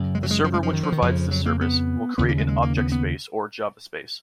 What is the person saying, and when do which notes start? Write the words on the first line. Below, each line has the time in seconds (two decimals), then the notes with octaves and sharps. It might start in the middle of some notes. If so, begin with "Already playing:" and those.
The server which provides this service will create an "Object Space", or "JavaSpace".
Already playing: F#2 C#3
0.15 G#3
0.23 F#3
0.31 G#3
0.44 F3
0.54 G#3
0.63 F3
0.73 D#3
0.83 F3
0.92 D#3
1.02 F2 C#3 F3
1.31 F#3
1.46 A#3
1.61 B3
2.18 D#2 C#3 B3
2.29 A#3
2.38 G#3
2.48 G#3
2.62 A#3
2.77 B3
2.92 B3